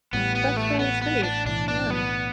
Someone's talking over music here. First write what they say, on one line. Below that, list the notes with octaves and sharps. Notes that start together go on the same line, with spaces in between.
That's really sweet, yeah.
A1 A2 G3 B3
B3
A3
B3
B3
D4
B1 A2 E3 D4
D4
B3